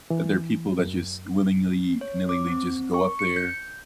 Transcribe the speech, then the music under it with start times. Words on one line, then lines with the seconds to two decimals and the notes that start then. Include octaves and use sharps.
that there are people that just willingly-nilly would just go up there,
0.10 E3
0.79 F#2
2.01 C#5
2.29 D6
2.47 C4
2.94 C#6
3.19 C#7
3.36 G6